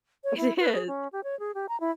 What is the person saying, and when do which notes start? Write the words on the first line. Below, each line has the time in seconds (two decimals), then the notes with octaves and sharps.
It is.
0.24 C#5
0.37 E4
0.59 B4
0.73 G#4
0.87 C#4
1.12 G4
1.24 C#5
1.39 G#4
1.55 G4
1.69 A#5
1.80 E4